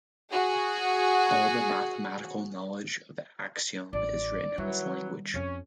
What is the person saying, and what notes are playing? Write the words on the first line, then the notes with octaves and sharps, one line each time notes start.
All the mathematical knowledge of Axiom is written in this language.
F#4 G#4
A1 D5
D#3 E3 F#3 G3
F2 C#4